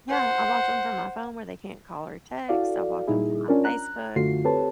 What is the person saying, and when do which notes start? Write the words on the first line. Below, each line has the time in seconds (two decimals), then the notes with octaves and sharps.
Yeah, I blocked ‘em from my phone where they can't call or text, I blocked ‘em from my Facebook.
0.10 C5 F#5
2.48 E4 F#4 A4 D5 F5
3.07 A#2 G3 D#4 E4 G#4
3.48 C#4 D4 F4 A#4 D5
3.64 A#5 F#6
4.16 F#2 D3 A3 F4 F#4 C7
4.44 C4 G4 A4 B4 C#5 A5